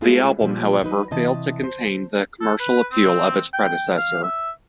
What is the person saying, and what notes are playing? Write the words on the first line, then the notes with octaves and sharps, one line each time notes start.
The album, however, failed to contain the commercial appeal of its predecessor.
G#3 A3 E4 F4 G#4
A#2 F3 G3
F#3 D#4 B4
C3 E3 D#5 A5
C5
A4
B4
C4
G5
F5
E5